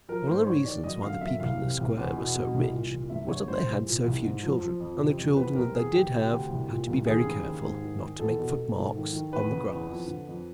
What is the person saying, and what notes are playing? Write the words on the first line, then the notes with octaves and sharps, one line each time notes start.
One of the reasons why the people in the Square were so rich was that they had so few children; and the children that they did have had to be very careful not to make foot-marks on the grass.
F3 A#4
G#2 C5
D#3 C#5
D#3 D5
F#2 D#5
D3 F5
F#2 E5
C2 F5
C3
C2
E2
B2
B2
C2
A#2
C2
G2 E5
D3 C#5
G2 C5
C2
A#2
C2
G#2
F3
F3
F2
C3
F2
E2 B4
C3 A#4
E2 G#4
D2 G4
C3
G4
D2
C2
A#2
C2
D#2 G#4
C#3
D#2
G#2
D#3
D#3
E2 A4
B2
B2
G#2
D#3
D#3
E2 B4
C#3
E2
F2
D3
F2